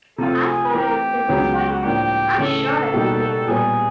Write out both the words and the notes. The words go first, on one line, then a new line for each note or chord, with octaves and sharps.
As far as business-wise, I'm sure I could play with him.
C3 F3 A3 C4 F4 A4
G#4
E3 A3 C4 G4
C#2 C#3 F#3 B3
F#4
A2 F3 A#3 D4 G4
C#3 E3 A3 C#4 A4
B2 G3 A#3 D#4 G4
A#2 G3 B3 G#4